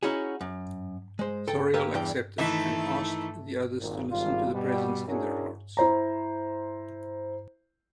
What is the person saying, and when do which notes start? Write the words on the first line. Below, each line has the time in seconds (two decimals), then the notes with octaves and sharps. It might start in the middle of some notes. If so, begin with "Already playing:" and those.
Zauriel accepted, and asked the others to listen to the Presence in their hearts.
0.03 C#4 D#4 E4 F#4 G#4
0.41 F#2
1.19 G#3 C5
1.48 A4 G5
1.74 A#3 G4 B4 E5
1.94 E2 G2 E3 D4 G5
2.38 D#3 E3 A3 D#4 E5
3.79 G#1 A#2
4.10 G#1 G3 F4
4.52 B2 G3
5.07 C#4 D4 E4 F#4 G#4 A#4
5.77 E4 C5 A#5